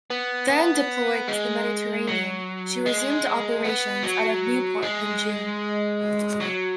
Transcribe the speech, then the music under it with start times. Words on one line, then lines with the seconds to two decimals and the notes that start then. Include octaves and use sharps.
Then deployed to the Mediterranean, she resumed operations out of Newport in June.
0.10 B3
0.50 B3
1.28 G#3
2.08 F#3
2.86 G#3
3.64 B3
4.03 F#3
4.82 G#3
6.40 F#3